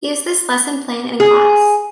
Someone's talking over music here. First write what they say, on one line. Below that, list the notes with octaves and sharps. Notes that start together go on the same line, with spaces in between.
Use this lesson plan in class.
G#4